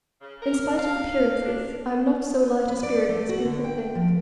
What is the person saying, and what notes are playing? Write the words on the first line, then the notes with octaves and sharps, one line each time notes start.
In spite of appearances, I am not so light a spirit as people think.
C#3
A#4
F5
D4
B4
D5
A3
F#4
D3
G5
F3